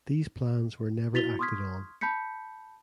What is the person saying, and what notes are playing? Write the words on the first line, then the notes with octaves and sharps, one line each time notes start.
These plans were never acted on.
E4 F#4 A6 B6 F7 G7
C6 C#6 D#6 F6 G#6 B6
A5 B5 G6 B6 C#7